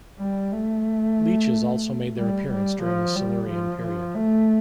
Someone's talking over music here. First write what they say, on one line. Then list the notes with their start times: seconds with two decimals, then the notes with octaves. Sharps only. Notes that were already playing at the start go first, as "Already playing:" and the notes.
Leeches also made their appearance during the Silurian Period.
0.19 G3
0.52 A3
2.18 G3
2.50 G3
2.84 F3
3.16 G3
3.50 F3
3.83 F3
4.15 A3